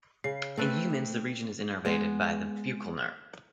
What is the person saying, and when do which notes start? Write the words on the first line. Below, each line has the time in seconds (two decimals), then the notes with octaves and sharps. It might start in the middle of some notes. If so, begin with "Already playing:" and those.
In humans, the region is innervated by the buccal nerve.
0.24 C#3 C7
0.57 A3 C4 A4 B4
1.85 G#3 B3